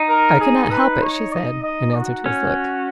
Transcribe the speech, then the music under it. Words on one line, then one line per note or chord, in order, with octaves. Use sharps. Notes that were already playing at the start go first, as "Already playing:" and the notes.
"I could not help it," she said, in answer to his look.
Already playing: D#4
A#4
G#4
B4
C#5
D#5
D#5
F#4
C#4